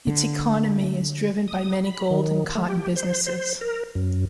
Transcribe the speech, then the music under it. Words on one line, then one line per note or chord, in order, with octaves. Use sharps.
Its economy is driven by many gold and cotton businesses.
D3
D#6
B5
D#3
A3
G4
C5
C5
A#4
F#2